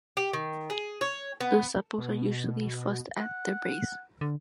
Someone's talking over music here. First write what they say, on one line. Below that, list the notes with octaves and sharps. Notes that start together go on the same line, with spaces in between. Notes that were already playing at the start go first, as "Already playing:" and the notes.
The sepals are usually fused at their base.
G4
D#3
G#4
C#5
B3
B2
F#5
D3